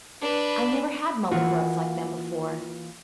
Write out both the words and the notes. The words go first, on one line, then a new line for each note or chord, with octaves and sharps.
I never had mullygrubs like them before.
D4 B4
E3 A#3 F4 F#4